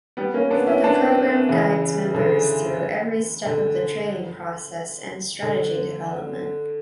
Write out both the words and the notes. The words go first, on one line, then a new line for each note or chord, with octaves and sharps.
The program guides members through every step of the trading process and strategy development.
G3 B3
A#3 C#4
B3 D4
C#4 E4
B3 D4
C#3 E3
D3
D3
D3